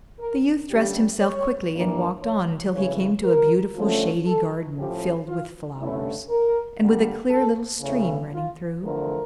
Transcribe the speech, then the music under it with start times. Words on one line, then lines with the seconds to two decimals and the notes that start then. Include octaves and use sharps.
The youth dressed himself quickly and walked on till he came to a beautiful shady garden filled with flowers, and with a clear little stream running through.
0.19 A#4
0.70 D3 G3 C#4 G4
1.20 C#5
1.72 G2 E3 A#3 D4
2.22 C#5
2.73 F2 C#3 E3 C#5
3.24 A#4
3.75 D3 F3 A3 C#4
4.26 A4
4.76 A2 F3 C#4 G4
5.27 F4
5.78 G2 D3 A3 C#4 E4
6.28 A#4
6.80 D3 G3 A#3
7.30 A4
7.81 E2 C#3 E3 A3 C#5
8.32 F4
8.83 E2 D3 F3 A3 A#4